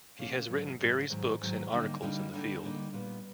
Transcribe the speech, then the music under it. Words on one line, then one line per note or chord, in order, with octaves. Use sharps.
He has written various books and articles in the field.
C#3 F3 A#3 C#4
G#2 D#3 F#3
G#2 D#3 F#3
G#2 D#3 F#3
G#2 D#3 F#3
D3 G3 A#3 D#4
D3 G3 A#3 D#4
D3 G3 A#3 D#4
D3 G3 A#3 D#4
A#2 G3 B3